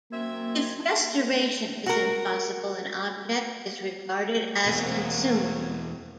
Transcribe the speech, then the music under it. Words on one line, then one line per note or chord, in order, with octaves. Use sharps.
If restoration is impossible an object is regarded as consumable.
F#2 A#3 C4 E5 G#6
F#4 A#4
E2 B2 F#3 A#3 C4